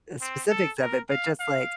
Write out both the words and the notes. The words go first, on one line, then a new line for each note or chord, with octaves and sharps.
uh, specifics of it, but just like
C4
A4
A#4
F5
F5